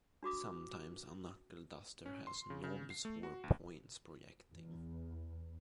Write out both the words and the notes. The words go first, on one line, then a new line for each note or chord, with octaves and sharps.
Sometimes a knuckle-duster has knobs or points projecting.
D4 F#4 D6 D#6
C#4
C6
C#3
C#3
C7
A3
F#4
D2
E2